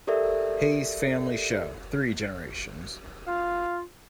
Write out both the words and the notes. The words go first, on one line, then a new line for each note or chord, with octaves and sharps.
Hayes Family Show: Three Generations.
G4 A4 A#4 D5 E5
F4 F5